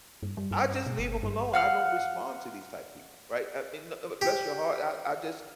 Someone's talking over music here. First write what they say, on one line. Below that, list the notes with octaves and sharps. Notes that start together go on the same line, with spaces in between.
I just leave 'em alone. I don't respond to these type people, right? I mean, "uh uh, bless your heart. I I just,
G2
G3
G2
B2
G1
G2
F5 F#5 F6
G4